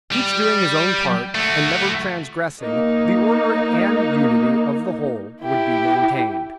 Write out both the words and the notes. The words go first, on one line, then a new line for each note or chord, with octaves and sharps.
Each doing his own part, and never transgressing, the order and unity of the whole would be maintained.
G3
A3 F#4
A#3 D#4
E4 G4